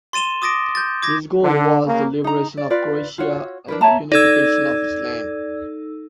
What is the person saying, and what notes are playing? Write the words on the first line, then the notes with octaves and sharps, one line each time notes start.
His goal was the liberation of Croatia and the unification of its lands.
C6 A6 D#7 E7 G7
D6 D#6 A6 A#6 D7
G6 A6
D6 G#6 A#6
D3
C#3 A#3
D#4 A#5
D5
F4 B4 D5
F4 F#4 C#5
D4 A#4 B4
C#5 E5 A5 A#5
D#4 A4 D5 E6 G#6